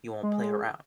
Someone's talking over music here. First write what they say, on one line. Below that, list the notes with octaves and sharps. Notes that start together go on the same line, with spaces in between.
you won't play around.
G#3